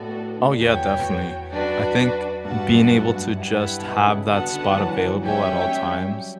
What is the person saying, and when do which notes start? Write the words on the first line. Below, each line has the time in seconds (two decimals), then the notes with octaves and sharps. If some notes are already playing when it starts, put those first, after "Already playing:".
Oh yeah, definitely, I think being able to just have that spot available at all times
Already playing: A2 B3 F#4 A4 D5
0.37 D3
0.59 E2 B3 F#4 C#5 G5
1.52 F#2 D4 F#4 B4 D5
2.45 G2 F#4 B4 F#5 A5
2.68 F#2
2.91 F#2
3.14 G2
3.38 E4 G4 B4 F#5 A5
3.83 B2
4.07 C#3
4.29 D3 B3 F#4 B4 F#5 A5
4.52 D3
4.71 E3
4.76 F#3
5.22 F#3 C#4 G4 C#5 E5 G5
5.61 F#3
5.68 G3